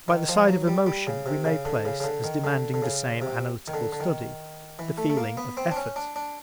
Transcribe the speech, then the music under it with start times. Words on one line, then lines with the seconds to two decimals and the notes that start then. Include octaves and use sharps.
By the side of emotion we may place, as demanding the same analytical study, the feeling of effort.
0.08 D#3
0.29 F3
0.48 F#3
0.67 G3
0.87 G3
1.07 C#3
1.26 C3
1.45 C#3
1.65 D3
1.85 C#3
2.00 C#3
2.04 D3
2.24 D#3
2.44 D3
2.74 D3
2.82 C#3
3.22 C3
3.68 D#3
3.74 D3
3.92 D3
4.00 D#3
4.79 E3
4.98 A3
5.10 A3
5.17 A#3
5.37 B3
5.57 C4
5.71 D4
5.76 C#4
5.96 D4
6.16 D4